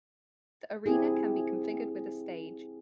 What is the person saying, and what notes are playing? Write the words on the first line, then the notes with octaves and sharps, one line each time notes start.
The arena can be configured with a stage.
C4 E4 G4 G#4